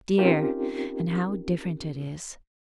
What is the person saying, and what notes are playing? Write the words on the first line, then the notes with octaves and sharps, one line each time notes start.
Dear! and how different it is!
C4 C#4 D#4 F4 G4 A#4